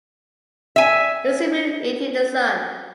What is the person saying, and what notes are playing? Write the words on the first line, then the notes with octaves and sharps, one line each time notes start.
Is the moon eating the sun?
E5 G#5